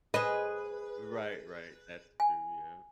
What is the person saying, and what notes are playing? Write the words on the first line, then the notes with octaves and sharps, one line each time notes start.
Right, right, that's true, yep.
G#4 A4 B4 C5 D#5
G#5